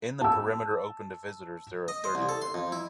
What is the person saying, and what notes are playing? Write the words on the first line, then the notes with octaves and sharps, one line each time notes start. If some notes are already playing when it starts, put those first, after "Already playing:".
In the perimeter open to visitors there are thirty of them.
A5 E6
D#5
C5
C2
A4
C6
F2
E4